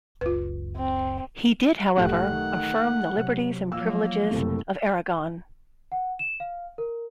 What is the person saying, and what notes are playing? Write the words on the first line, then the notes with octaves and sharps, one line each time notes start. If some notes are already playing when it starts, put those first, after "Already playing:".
He did, however, affirm the liberties and privileges of Aragon.
F#1 C#2 F4 B4
C4
B1 G#2 A3 G4 F#5
D#3
C3 F#3
F3 F#3 A#3 E6
F#1 C2 A3
F#5
E7
F5
A#4